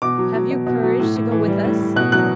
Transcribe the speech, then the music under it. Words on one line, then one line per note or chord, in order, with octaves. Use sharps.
Have you courage to go with us?
B2 D6
F#3
F#3
B2
B2
F#3
A2
A2
E3
G3
A2
A2
B2 F#6
F#3 F#6